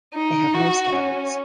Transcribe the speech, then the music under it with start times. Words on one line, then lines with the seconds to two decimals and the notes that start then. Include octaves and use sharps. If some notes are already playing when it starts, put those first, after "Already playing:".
They have no scales.
0.14 D#4
0.54 F#4
0.93 C#4